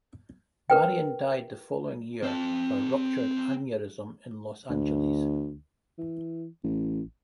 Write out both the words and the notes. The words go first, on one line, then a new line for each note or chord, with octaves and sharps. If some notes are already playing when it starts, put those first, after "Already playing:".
Marion died the following year of a ruptured aneurysm in Los Angeles.
A#4 B4 G5
C4 A5
D2
E3
A1